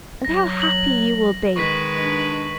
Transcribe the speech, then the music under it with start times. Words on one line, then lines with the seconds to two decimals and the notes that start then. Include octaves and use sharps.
And how happy you will be!
0.25 F#3 A#6
0.62 F#7
1.56 D#3 G#3 B4 C#6 B6
1.97 D4